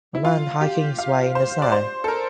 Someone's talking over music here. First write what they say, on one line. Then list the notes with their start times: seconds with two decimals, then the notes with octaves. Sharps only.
A man hiking his way in the snow.
0.15 E4
0.25 F4
0.61 G4
0.99 F5
1.35 C5
1.62 D5
1.72 C5
2.04 A4
2.08 A#4